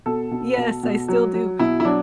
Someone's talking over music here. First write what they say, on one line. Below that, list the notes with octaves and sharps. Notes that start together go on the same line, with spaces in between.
Yes, I still do,
B2 A4
B2
B2
B2
F#3
F#3
B2 E4
E4
F#3 D4